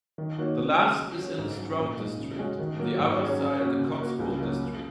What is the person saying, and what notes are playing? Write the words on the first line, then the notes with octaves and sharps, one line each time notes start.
The last is in the Stroud district; the others are in the Cotswold district.
D#3
A#3 D#4 F#4 C#5
C#3
G#3 F#4
F#3
C#4 F#4 C#5
G#2
F#3 C#4
A#2
G#3 D#4
C#3
G#3 C#4 F#4
D#3
F#3 A#3
G#2
F#3 C#4 G#4 C#5
F#2
C#3 A#3 C#4 F#4
C#3
A#3 F#4 A#4
C#2
C#3 F#3 A#3 F#4
C#3